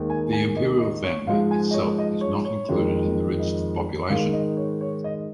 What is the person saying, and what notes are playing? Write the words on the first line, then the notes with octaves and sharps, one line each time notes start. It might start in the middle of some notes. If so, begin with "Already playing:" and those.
The Imperial family itself is not included in the registered population.
Already playing: D#2 D#3 G#3
G#5
G#5
D#5
D#5
C#5
G#2 F3 G#3 F5
G#5
D#5
C#5
D#5
C#5
C#5
F2 D#3 G#3
D#5
G#2 D#3 G#3 F5
D#5
C#5
C#5
D#5